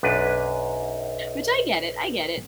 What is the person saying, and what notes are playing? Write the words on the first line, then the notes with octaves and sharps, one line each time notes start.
Which I get it, I get it.
B1 F#2 D4 B4